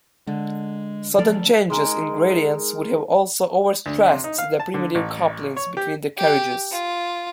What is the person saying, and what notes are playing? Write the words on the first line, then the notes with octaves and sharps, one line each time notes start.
Sudden changes in gradients would have also overstressed the primitive couplings between the carriages.
D3 G#3
F3 F#3 A3 A4 D5 F5
G#3 D#4 A#4 G#5
D2
C3
D#4
F5
A5
D3
A1
C#5
G4
G4
F4